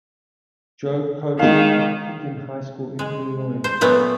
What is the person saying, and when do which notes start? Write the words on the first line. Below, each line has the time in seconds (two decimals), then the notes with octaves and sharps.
Joe coached at Pekin High School in Illinois.
1.39 D#3 G#3 F5
2.99 G#3
3.64 C5
3.81 A#2 F#3 A3 B3